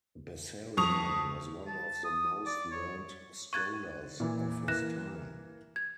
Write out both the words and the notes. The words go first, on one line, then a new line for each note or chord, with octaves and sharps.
Bessarion was one of the most learned scholars of his time.
F2 C#6 D#6 F7
A5
D#6
D5
C#5
C#6 F#6 G#6 A6 D#7
A#2 E3
E3 A#3 F#6 A#6 E7
G#6